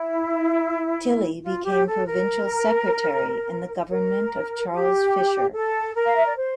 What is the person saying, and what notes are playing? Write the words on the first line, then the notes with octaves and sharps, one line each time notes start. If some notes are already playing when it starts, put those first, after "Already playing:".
Tilley became Provincial Secretary in the government of Charles Fisher.
Already playing: E4
F4
G4
A4
A#4
A#4
G4
A4
A#4
F5
E5
D5
C5